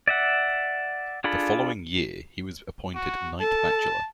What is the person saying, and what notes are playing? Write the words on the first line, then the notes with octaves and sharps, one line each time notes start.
The following year he was appointed Knight Bachelor.
D5 E5 F#5
D4 F4 G#4 A4 B5
F#4
A4 A5